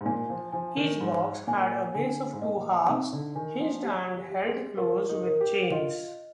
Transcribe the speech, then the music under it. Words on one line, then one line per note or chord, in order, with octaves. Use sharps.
Each box had a base of two halves, hinged and held closed with chains.
G#2
A#2 G#5
F3
F3 G#5
D#3
G#2 D#4
A#2 G#5
D3 G#5
G#2
A#2 D#5
C3 D#4
D3
D#3 G#5
F3
G4
G3
G4
G#3
F4 A#4
D#4
A#4
G4
F4 D#5